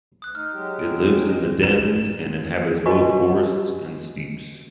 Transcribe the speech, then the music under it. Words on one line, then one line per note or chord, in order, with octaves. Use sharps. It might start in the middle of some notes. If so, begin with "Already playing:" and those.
It lives in dens and inhabits both forests and steppes.
D2 D#6 F#6
D#4 F6
F#3 G#3 G4
D7
G#3 D#5
E7
F#4 B4 D#5 G#5 C#6